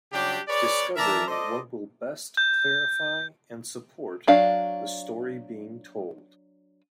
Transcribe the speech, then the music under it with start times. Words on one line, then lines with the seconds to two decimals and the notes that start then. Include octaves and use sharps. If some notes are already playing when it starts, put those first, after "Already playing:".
Discovering what will best clarify and support the story being told.
0.12 C#3 F#3 G3 D4 G4
0.48 G#4 B4 C#5 D5
0.95 E3 A#4 D5 E5 A5 A#5
1.28 A4 C5 D5 D#5
2.37 G6
4.27 F#3 D4 F5